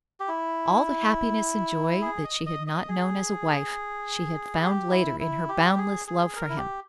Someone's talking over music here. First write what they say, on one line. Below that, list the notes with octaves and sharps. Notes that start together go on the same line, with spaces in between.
All the happiness and joy that she had not known as a wife, she had found later in her boundless love for him.
G4
E4
G#4
D#5
D#5
D#5
G#4
G4
E4
E4
G4
G#4
G#4
A#4
E4
G4